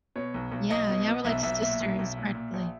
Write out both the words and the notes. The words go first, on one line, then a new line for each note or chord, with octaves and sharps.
Yeah, yeah, we're like sisters, practically.
B2 C#5
B1
B1
B1 D#5
B2
B2
B1 E5
B1 E5
A#2 E5
B1
B1
A#2
A#2
A#1